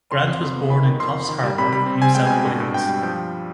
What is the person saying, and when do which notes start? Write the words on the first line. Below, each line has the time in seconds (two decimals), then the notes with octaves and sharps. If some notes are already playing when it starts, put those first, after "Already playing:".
Grant was born in Coffs Harbour, New South Wales.
0.11 F2 C6
0.27 F2
0.41 F2
0.55 B3
0.70 D#3 B5
0.85 D#3
0.99 F2 C6
1.14 D#3
1.29 D#3
1.43 G3
1.58 C3 B5
1.73 G3 B5
1.86 C4
2.02 C4 G#5
2.15 G#3 G5
2.27 B2 G#5
2.45 G2
2.60 G2
2.74 G2 G5
2.89 G3
3.03 F3 G5